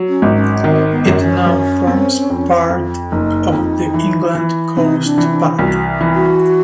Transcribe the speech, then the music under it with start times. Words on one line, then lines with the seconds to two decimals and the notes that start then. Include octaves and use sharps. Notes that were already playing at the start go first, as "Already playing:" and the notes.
It now forms part of the England Coast Path.
Already playing: F#3
0.09 C#4
0.22 G#1
0.36 C#4
0.64 D#3 C4
0.91 B3
1.06 F#2
1.19 C#4
1.47 F#2
1.87 C4
2.30 F2
2.70 F2
3.11 F#1 D#4
3.52 F2
3.94 E3
4.35 E3
4.76 C3 D#4
5.05 D4
5.18 E3
5.32 D4
5.59 C2 F#4
6.01 E3
6.15 F#4